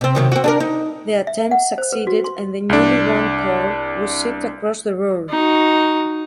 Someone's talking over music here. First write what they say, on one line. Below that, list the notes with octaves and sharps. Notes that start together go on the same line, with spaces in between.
The attempt succeeded and the newly won coal was shipped across the Ruhr.
C3 C4
C3 D#3 F#3
C4 F#4
D4 G#4 A#4
D#4
E5
F#5
C5
B4
F#4
C6
C2 D4
D#4 F#4